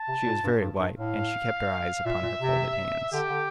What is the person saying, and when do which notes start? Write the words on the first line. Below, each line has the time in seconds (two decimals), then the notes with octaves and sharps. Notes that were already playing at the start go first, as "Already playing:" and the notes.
She was very white, and she kept her eyes upon her folded hands.
Already playing: A5
0.08 C3
0.26 A#2
0.44 G2
0.62 G2
0.80 G2
0.97 A2 F5
2.05 A#2 E5
2.23 A#2
2.41 C3
3.13 D3 G4
3.29 D3